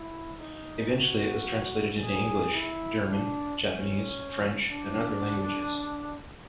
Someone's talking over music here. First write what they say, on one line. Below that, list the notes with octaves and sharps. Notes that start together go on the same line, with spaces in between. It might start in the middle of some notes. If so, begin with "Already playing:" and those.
Eventually it was translated into English, German, Japanese, French, and other languages.
Already playing: E4
D#4
F#4
G#4
E4
D4
C#4
D4